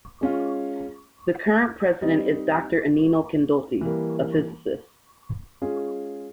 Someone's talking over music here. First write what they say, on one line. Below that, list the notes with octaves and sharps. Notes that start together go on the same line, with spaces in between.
The current president is Doctor Ennio Candotti, a physicist.
G#3 C#4 F4
G3 C4 D#4
E3 G3 A#3
G#3 C#4 F4 G#4